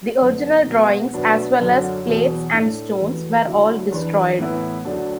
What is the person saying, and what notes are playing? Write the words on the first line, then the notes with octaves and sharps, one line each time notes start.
The original drawings, as well as plates and stones, were all destroyed.
F#2 D3 B3
B2 F#3 B3
B2 F#3 D4 B4
F#2 D3 F#3
E2 B2 F#3
A2 A3 D4 A4
E2 E3 A3 F#4 B4
D3 F#3 A3 E4
E2 E3 D4 B4
A2 E3 B3 E4 B4
D2 D3 F#3 D4